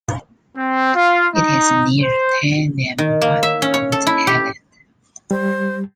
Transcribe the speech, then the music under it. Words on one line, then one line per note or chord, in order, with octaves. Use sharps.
It is near Tai Nam Wan on the island.
C4
F4
D#4
C5
D#3
A#3
E5
C#4
C#5
A4
E4
G4
G3 C5